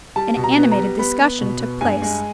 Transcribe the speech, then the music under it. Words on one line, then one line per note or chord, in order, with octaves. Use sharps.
An animated discussion took place.
G3 A5
B2
A#5
B3
A#5
G3
B3 B5
B3
B2
B3
G2 G#5
G#3